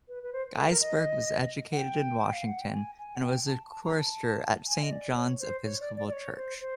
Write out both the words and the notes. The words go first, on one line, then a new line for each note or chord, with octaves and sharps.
Gaisberg was educated in Washington and was a chorister at Saint John's Episcopal Church.
B4
B4
C5
A4
A#4
D#5
F#5
G5
F5
F#5
G5
G#5
G#5
F#5
G5
A5
A5
A#5
A5
G#5
D#5
D5
C#5
C5
C#5
D5
D5
D5
C#5
C5
C5